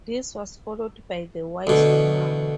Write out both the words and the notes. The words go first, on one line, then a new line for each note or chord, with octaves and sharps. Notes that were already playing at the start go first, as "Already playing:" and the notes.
This was followed by "The Wise Woman".
D2 B2